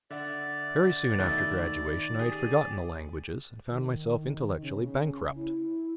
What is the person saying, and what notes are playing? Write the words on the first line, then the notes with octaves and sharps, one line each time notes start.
Very soon after graduation I had forgotten the languages, and found myself intellectually bankrupt.
D3 D5 E5 F#5
B2 D#3 A3
G4 G#4
D#3
C#3
E4